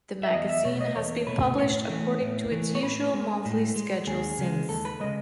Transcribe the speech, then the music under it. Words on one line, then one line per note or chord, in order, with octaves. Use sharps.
The magazine has been published according to its usual monthly schedule since.
E5
E2 D#5
E5
B2 A3 C#5
D#5
E2 C#5
B2 A3 B4
A2 C#5
E3 A3
A2
E3 A3
C#5
A2 B4
G#3
A2
G#3
D#2 G#4
C#3 G#3
D#2 A4
B4
C#3 G#3 D#5